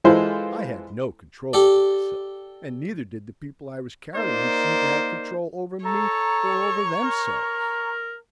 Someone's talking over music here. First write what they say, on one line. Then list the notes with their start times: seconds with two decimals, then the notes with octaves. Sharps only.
I had no control over myself, and neither did the people I was carrying seem to have control over me or over themselves.
0.04 E3 G#3 E4 F4 A4 C5
1.53 G4 A4 D5
4.16 A#3 D#4 A#4 C5 D5
5.85 A4 C#5 A#5
7.03 A#4